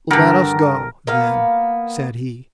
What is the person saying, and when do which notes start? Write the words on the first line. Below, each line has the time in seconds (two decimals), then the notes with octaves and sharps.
"Let us go, then!" said he.
0.11 G2 D3 A#4
1.07 A#3 B3 F5